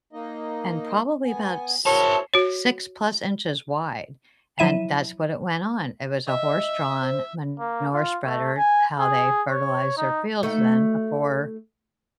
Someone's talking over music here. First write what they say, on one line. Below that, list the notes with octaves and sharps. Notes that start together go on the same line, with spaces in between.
and probably about s six plus inches wide, and that's what it went on. It was a horse-drawn manure spreader, how they fertilized their fields then before
A#3 D#4 D#5
B3 G#5
E4 F#4 A#4 C5 C#5 A5
F#4 C#5
F3 F#3 E4 E5 D#7 E7
D#5 E5
C5
A#3
F4
A3
G#5
G#4
C#5
D#4
A3 D#4 F#4